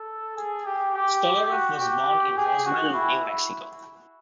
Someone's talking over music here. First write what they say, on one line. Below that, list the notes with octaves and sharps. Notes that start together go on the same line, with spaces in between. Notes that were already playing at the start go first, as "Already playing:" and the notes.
Stolaroff was born in Roswell, New Mexico.
Already playing: A4
G#4
G4
G4
F#4
G4
G4
G#4
F#4
E4